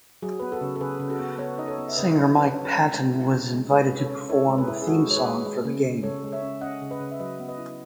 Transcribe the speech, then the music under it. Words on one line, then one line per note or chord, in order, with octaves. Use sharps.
Singer Mike Patton was invited to perform the theme song for the game.
F#3 G#4
B3 B4
F#4 A4
C#3
A4
C#3 G#4 B4
C#3
F#4 A4
B3
B3 A4 C#5
D#4 D#5
A4 C#5
B3
E5
C#3 B4 D#5
F#3
C#5
C#3 B4
C#4 A4 C#5
G#3
G#3
E4
C#3
G#3
G#3 G#4 B4
C#4
A4 C#5
C#4
E4 A4 C#5
G#3
G#4 B4
E4
G#4
G#3 F#4 A4
G#3 C#5
G#4 B4
G#3
G#3
C#3
C#3
C#3 A4 C#5
G#3
C#5 E5
C#4
C#4 D#5 F#5
C#3
B4 D#5
C#3
E5
F#3 B4 D#5
B3
B4 D#5
E4